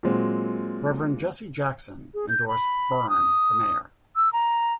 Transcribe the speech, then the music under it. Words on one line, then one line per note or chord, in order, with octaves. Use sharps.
Reverend Jesse Jackson endorsed Byrne for mayor.
A#2 F#3 G#3 C4
G#4
G6
B5
D#6
E6
A#5